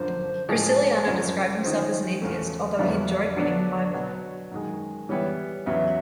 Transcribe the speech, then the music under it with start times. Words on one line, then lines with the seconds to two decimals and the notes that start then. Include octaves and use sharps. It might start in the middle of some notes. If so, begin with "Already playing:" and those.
Graciliano described himself as an atheist, although he enjoyed reading the Bible.
Already playing: F#2 D3 F3 C5
0.49 A2 F3 G#3
1.06 F#2 C#3 F3
1.63 D#3 G#3 C#4 F4 C5
2.21 E2 C#3 F3 A3 C#4
2.78 F2 D3 F#3 B3 E4 D5
3.36 D3 F#3 B3 D4 D5
3.94 B2 F#3 B3
4.51 F#2 D#3 G#3
5.09 E3 G3 B3 E4 C#5
5.66 E2 C#3 F#3 B3 E5